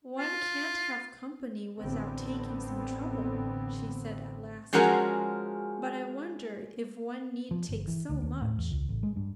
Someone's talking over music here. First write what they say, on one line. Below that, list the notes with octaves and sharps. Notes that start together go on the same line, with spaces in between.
"One can't have company without taking some trouble," she said at last. "But I wonder if one need take so much?"
F4
A1 D3 B3 C4
F3 G#3 C#4 F#4 G#4 A#4
F3
G1
E3
D2
D#2
A2
E2
C#2
A1
G#3
G2